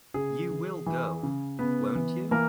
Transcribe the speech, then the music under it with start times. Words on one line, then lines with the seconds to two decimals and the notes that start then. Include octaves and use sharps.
You will go, won't you?
0.14 C#3 G#4
0.51 E3
0.86 E3
1.23 C#3
1.59 C#3 B3 B4
1.95 E3
2.31 E3 A#3 A#4